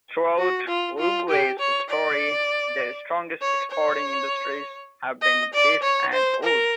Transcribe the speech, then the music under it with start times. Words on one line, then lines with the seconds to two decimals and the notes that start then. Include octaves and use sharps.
Throughout Uruguay's history, their strongest exporting industries have been beef and wool.
0.38 F#4
0.68 F4
0.99 F4
1.30 G4
1.59 C#5
1.90 D5
3.41 C#5
3.71 C#5
5.22 D#5
5.53 D5
5.83 C#5
6.13 C5
6.43 A#4